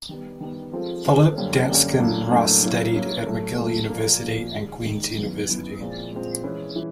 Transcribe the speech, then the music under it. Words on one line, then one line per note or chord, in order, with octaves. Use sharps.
Philip Dansken Ross studied at McGill University and Queen's University.
D#3 G3 B3
D#3 G3 B3
F3 G#3 C4 F4 A4
F3 G#3 C4 F4 A4
F#2 D3 G3 A#3 C#4
F#2 D3 G3 A#3 C#4
A2 F#3 A#3 D4
A2 F#3 A#3 D4
F#3 A#3 C#4 E4
F#3 A#3 C#4 E4
A2 F#3 A3
A2 F#3 A3
A#2 F3 A#3
A#2 F3 A#3
G#2 D#3 G#3
G#2 D#3 G#3
F#2 D#3 F#3 B3 E4
F#2 D#3 F#3 B3 E4
A#2 F3 G#3 C4
A#2 F3 G#3 C4
E3 G#3 C#4 E4
E3